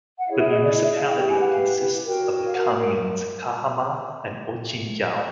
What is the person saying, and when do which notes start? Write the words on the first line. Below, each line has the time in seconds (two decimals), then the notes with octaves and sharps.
The municipality consists of the communes Cahama and Otchinjau.
0.18 F#5
0.27 E4 F5
0.30 G#4 C#5
0.38 E5
0.50 D#5
0.61 D5
0.72 D#5
0.83 E5
0.94 F5
1.05 G5
1.17 E4 G4 B4 G5
1.28 G#5
1.39 F#5
1.50 F5
2.06 F#4 A#4 C#5 G5
2.45 F5
2.52 F#5
2.63 F5